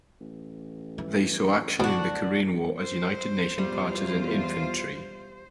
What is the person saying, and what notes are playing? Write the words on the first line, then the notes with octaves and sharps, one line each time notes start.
They saw action in the Korean War As United Nation Partisan Infantry.
A1
E3
D2 B2 E3 D4 F#4
C5
E2 B2 G3 F4